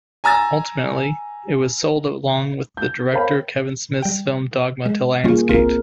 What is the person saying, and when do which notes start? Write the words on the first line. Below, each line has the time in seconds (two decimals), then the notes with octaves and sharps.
Ultimately, it was sold along with director Kevin Smith's film "Dogma" to Lionsgate.
0.24 G#5 A#5 E6 A6
2.77 G6
3.13 A#4 C5 C#5 F5 G5 B5
4.02 G3 G5
4.86 G#3
5.24 G3 A#3 C#4 F4 G#4
5.49 G1 C2 C4 F4 A#4